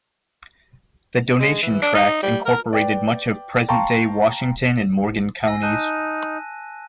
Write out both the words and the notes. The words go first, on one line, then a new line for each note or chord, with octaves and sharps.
The Donation Tract incorporated much of present-day Washington and Morgan counties.
G#3
E3
D4
D#4
G3
A#4
B4 D5 G5
F5 G5 A5 A#5 C6 C#6
G#5 E6 A#6
D#4 A5 F#6 D#7